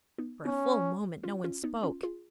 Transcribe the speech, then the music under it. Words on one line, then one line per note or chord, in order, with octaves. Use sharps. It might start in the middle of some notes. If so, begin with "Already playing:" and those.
For a full moment no one spoke.
B3 D#4
B3 C#4 D#4
C#4 F4
C#4 F4
B3 D#4
C#4 F4
F4 G#4